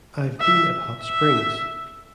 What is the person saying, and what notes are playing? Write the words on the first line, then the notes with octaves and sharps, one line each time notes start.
I've been at Hot Springs.
E5
E5